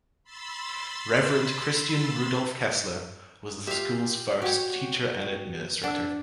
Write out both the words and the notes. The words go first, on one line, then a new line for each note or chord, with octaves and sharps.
Reverend Christian Rudolph Kessler was the school's first teacher and administrator.
B5 C6 E6 A6
F4 G4 E5 F5
F#4 G4 C#5 F#5 G5
D4 F#5 E6